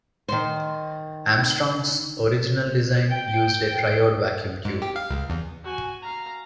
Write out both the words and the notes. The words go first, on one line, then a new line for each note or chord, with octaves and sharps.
Armstrong's original design used a triode vacuum tube.
D#3 C5
G5
G#2
G4
F5
C#2
E2
F#4 G#5
F5 A#5